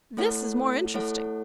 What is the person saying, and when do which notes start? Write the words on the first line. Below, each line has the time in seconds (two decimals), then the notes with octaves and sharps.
This is more interesting.
0.17 A3 E4 A4 C#5 F#5
0.94 A3 E4 A4 C#5 F#5